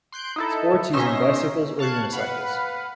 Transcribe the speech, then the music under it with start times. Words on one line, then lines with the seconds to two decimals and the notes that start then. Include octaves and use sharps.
Sports using bicycles or unicycles.
0.12 C6 F#6 G6 D7
0.36 D#4 E4 A4
0.93 B2 C#4 D#4 E5 C6 A#6
1.79 F5 A5 C#6 F#6 G#6
2.13 B4 F5 F#5 B5